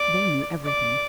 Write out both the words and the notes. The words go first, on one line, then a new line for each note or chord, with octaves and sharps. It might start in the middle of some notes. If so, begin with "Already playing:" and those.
They knew everything.
Already playing: D5
D5